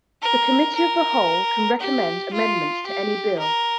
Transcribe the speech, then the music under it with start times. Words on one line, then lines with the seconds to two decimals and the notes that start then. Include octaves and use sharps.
The Committee of the Whole can recommend amendments to any bill.
0.22 A#4
0.75 A#4
1.80 G4
2.33 F4
2.86 G4
3.39 A#4